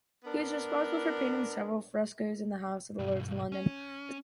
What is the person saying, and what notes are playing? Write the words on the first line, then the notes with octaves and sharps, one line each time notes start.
He was responsible for painting several frescos in the House of Lords in London.
B3 D4 A#4
B1 G2
C#4